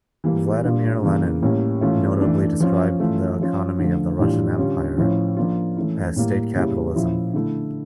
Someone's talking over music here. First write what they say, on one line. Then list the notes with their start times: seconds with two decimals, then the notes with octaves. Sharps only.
Vladimir Lenin notably described the economy of the Russian Empire as state capitalism.
0.24 E3 G3 A#3
0.63 A#2 G3 D4 F4
1.03 C#3 E3 A#3
1.43 A2 G3 A#3 C#4
1.81 E3 A3 C#4 F4
2.21 E3 A3 D4
2.60 F3 C#4 F4
3.00 E3 A3 C#4 F4
3.39 F3 C#4 F4
3.79 D3 F3 A3
4.19 A2 E3 G3 D4 F4
4.58 D3 G3 C#4 F4
4.98 A2 F3 C#4 E4
5.37 F3 A#3 D4 F4
5.77 E3 A3 C#4 E4
6.16 A2 G3 A#3
6.55 C#3 G3 A#3 C#4 E4
6.94 A#2 F3 C#4 E4
7.34 D3 A3 E4